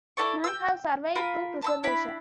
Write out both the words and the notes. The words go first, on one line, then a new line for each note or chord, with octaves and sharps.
None have survived to preservation.
E4 A4 D5 C#6
G5 E6
F4 A#4 B5
A5 B5 E6
D4 E4 B5